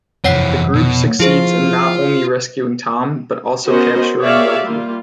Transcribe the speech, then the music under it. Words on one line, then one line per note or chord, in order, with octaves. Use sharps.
The group succeeds in not only rescuing Tom, but also capturing Loki.
F2 C3 E3 C4 C#5 F#5 C7
B2
F3 E4 F4 G#4 C5
B3 C#4 F#4 A#4 C5 D#5
G4 G#4 C#5 D5 E5 F5
G3 A#3 F4